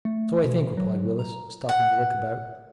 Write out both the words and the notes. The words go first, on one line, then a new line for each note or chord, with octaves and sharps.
"So I think," replied Willis, stopping to look about.
A3
B2
F#3
A#5
F#5